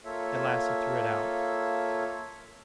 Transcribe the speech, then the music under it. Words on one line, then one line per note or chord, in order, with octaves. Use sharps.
At last he threw it out.
A#3 F4 A4 C#5 E5